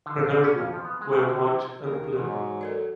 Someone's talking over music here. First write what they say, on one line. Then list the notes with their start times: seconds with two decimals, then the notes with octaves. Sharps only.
Grenoble wear white and blue.
0.06 D3
0.17 A#1
0.31 C4
0.44 C#4
0.60 F2
0.73 F3
0.85 B3
1.01 G#3
1.13 C#3
1.29 D3
1.45 C3
1.85 D#2 A#4
2.16 G#2 E3 F#3
2.61 A4 A#4 D5